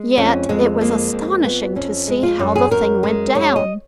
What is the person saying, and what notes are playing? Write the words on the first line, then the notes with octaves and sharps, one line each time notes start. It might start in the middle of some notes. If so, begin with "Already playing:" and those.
Yet, it was astonishing to see how the thing went down.
Already playing: G#3
F2 C#4
F2 G#3
G#3 A#3
F2
F2 B3
F2 C#4
G#3
F4
F#2
G#4
F#2 A#4
G#3
F#2 C#5
D#5